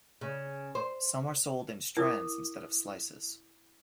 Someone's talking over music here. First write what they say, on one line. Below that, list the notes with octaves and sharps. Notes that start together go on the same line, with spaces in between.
Some are sold in strands instead of slices.
C#3
C5
E4 A#4 D6 D#6